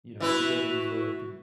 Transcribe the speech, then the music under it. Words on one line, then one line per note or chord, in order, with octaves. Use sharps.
you know, it doesn't deserve to
E3 E4 F#4 B4